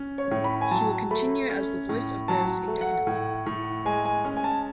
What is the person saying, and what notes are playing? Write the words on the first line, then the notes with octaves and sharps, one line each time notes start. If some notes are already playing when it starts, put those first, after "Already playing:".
He will continue as the voice of the Bears indefinitely.
Already playing: C#4
C#5
A2
B5
G#5
F#3 A5
A3 B5
C#4
A2
F#3 A5
A3
F#5
A2
A2
G#3 G#5
G#5
C#4
G#5
A5